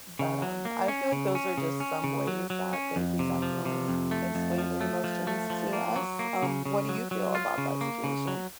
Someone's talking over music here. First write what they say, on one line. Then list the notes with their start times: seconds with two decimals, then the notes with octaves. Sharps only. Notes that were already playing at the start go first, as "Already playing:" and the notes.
But, um, I feel like those are just some ways that they can definitely explain their emotions to us. Um, what do you feel about that situation?
0.19 C#3
0.42 F#3
0.65 A#3
0.88 C#4
1.12 C#3
1.35 C#4
1.58 C#3
1.80 C#4
2.04 C#3
2.27 F#3
2.50 F#3
2.73 C#4
2.96 F2
3.19 C3
3.42 F3
3.65 C3
3.88 F2
4.11 A3
4.35 F2
4.58 F3
4.81 A3
5.04 F3
5.27 A3
5.50 F3
5.73 A#3
5.96 F#3
6.19 A#3
6.42 C#3
6.65 C#3
6.89 F#3
7.11 F#3
7.35 F4
7.58 C#3
7.81 A#3
8.04 C#3
8.27 F#3